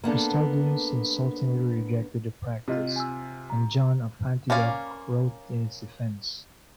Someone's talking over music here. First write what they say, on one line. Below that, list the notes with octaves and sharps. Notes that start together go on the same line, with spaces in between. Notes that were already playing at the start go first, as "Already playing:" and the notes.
Christodulus insultingly rejected the practice, and John of Antioch wrote in its defence.
A#3 B3 D4 A4
C3 F4 G4 D#5
G#5 E6
A#5
A#3 C#4 D5 F5